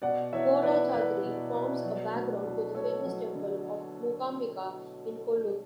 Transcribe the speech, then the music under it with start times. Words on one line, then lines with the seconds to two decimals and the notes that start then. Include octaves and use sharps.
Kodachadri forms a background to the famous temple of Mookambika in Kollur.
0.02 B2 D5 F#5
0.32 E2 C#5 E5
0.63 E2 B4 D5
0.93 E2 B4 D5
1.23 B2
1.53 B2
1.84 F#3
2.14 D2
2.44 D2
2.75 D2 A4 C#5
3.05 F#3
3.35 D3